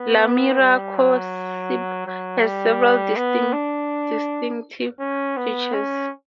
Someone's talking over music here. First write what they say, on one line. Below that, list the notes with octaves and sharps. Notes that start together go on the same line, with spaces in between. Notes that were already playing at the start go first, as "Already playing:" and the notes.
Lumiracoxib has several distinctive features.
Already playing: B3
G3
F#3
F#3
G3
B3
D4
C#4
B3
C#4